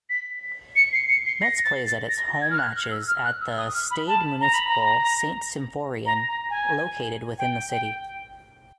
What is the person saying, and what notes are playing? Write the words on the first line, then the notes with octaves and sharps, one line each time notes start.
Metz plays its home matches at the Stade Municipal Saint-Symphorien located within the city.
B6
C#7
C7
C#7
C7
A#6
A6
A6
A#6
A#6
G#6
F6
F#6
F6
E6
F6
F#6
E6
D#6
F6
B5
A5
A#5
B5
A#5
A#5
A#5
G#5
G5
G5